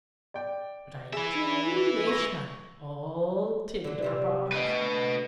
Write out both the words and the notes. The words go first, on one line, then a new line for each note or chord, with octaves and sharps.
But I do wish my old tinder-box.
D5 G5
G#4 B4 E5
C#6 A#6
D3 F#3
C3 G3 F4
D2 A3 B4 D#5